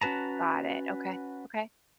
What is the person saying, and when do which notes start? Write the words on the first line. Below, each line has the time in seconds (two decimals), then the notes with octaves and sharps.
Got it, okay. Okay.
0.01 C#4 F#4 B4 A5 A#5